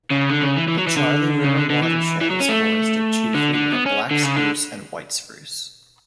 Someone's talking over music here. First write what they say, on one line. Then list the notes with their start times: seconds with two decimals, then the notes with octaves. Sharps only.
The Charley River watershed is forested chiefly with black spruce and white spruce.
0.11 C#3
0.30 D3
0.43 C#3
0.57 E3
0.68 E3
0.78 F#3
0.87 E3
0.97 D3
1.44 C#3
1.57 D3
1.70 D3
1.83 E3
2.21 E3
2.30 F#3
2.40 C#4
2.49 A3
3.35 D3
3.54 D3
3.72 B3
3.86 C#4
4.11 D3
4.23 C#3
4.36 D3